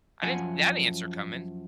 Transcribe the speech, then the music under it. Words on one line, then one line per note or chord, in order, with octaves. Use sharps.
I didn't see that answer coming.
F#2 F3 F#5 G#5